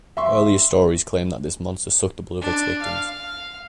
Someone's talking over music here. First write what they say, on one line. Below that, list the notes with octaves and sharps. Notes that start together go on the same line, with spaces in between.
The earliest stories claim that this monster sucked the blood of its victims.
E5 C6 C#6
D4
F5